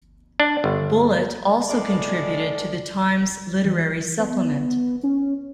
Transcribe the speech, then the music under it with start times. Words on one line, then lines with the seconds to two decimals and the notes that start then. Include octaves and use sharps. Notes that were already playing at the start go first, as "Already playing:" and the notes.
Bullett also contributed to the Times Literary Supplement.
0.40 D4
0.64 G1
1.68 A2 G#3 D5
3.65 E3
4.19 B3
5.03 C#4